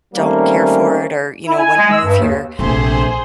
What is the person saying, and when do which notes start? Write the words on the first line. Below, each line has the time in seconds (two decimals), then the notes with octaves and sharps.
don't care for it or, you know, wouldn't move here
0.14 D#3 G3 A3 A#3 C4 C#4
1.47 E4
1.58 G#5
1.76 G#3
1.90 E6
2.04 G2
2.19 D#2
2.59 A#1 C3 A3 G#4 C5 C6